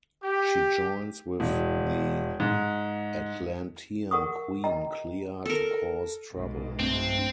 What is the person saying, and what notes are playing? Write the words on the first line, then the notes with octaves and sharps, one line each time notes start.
She joins with the Atlantean Queen Clea to cause trouble.
G4
E1
G#2
A#4 F#5 C#6 D#6
D#5 G5 A#5
A4 A#4
B1 G#2
G2 A3 C4 D4